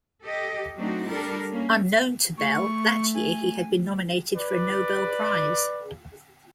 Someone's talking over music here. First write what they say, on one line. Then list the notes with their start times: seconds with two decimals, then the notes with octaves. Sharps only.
Unknown to Bell, that year he had been nominated for a Nobel Prize.
0.23 G4 A4 D#5
0.78 F#3 A3 C4 D4 D#4 F#4
1.08 G3 D4 A4 A#4
1.51 A#3 C#4
2.38 A3 C#6
3.14 G#5
4.36 B4 D5